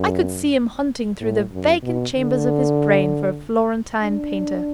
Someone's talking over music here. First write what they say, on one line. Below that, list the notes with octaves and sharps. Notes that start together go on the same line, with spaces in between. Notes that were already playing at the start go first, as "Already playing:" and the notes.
I could see him hunting through the vacant chambers of his brain for a Florentine painter.
Already playing: F#2
A2
F#2
B2
D3
D4